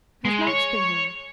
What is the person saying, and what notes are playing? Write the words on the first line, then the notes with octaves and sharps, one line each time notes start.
"Has Max been here?"
G#3
C#5